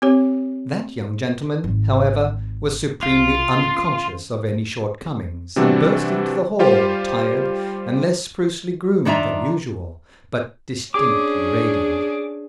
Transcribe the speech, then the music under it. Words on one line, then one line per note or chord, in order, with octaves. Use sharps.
That young gentleman, however, was supremely unconscious of any shortcomings, and burst into the hall, tired, and less sprucely groomed than usual, but distinctly radiant.
C4 G4 C#5
G#1
C2 F4
D#3 C#4
C3 E3 G3 C4 D4 F#4
G3 F4 G4 C5
D#3 D4 F4 E5 A#5
C#4 D4 G#4 D6